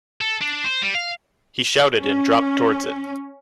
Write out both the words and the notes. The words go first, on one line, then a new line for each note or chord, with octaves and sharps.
He shouted and dropped towards it.
A4
D4
C5
G3
F5
C#4